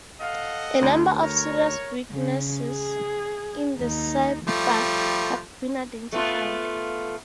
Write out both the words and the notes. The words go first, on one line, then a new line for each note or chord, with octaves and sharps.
A number of serious weaknesses in the cipher have been identified.
A4 D#5 F5 F#5
D2 C6
A#4 C#5
C#3
G#4
D#2 D#4
F3 G3 A3
A3 B3 F4